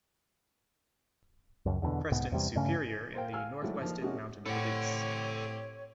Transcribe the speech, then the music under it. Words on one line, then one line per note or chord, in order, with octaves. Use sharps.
Preston's superior in the North-West Mounted Police.
C#2 F#2
E2 G2 B2 D3
C2 G#2 B3
E2 C3 G3
G2 C#3 A3 C#4
A#4 C5 F5 G5
F5 G#5 E6 F6
G#2 F#3 A3 E4 F#4
F3 A#3 D#4
C3 G#3 A#3 C#4 D#4 F#4
A2 C4 G4 A4 C#5 F#5